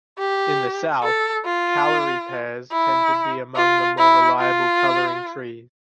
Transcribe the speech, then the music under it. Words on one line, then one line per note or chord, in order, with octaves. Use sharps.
In the South, Callery pears tend to be among the more reliable colouring trees.
G4
A4
F4
E4
F4
E4
F4